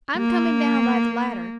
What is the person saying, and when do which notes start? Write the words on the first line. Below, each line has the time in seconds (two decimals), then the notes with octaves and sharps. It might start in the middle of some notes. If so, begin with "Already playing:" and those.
"I'm coming down by the ladder."
0.17 A#3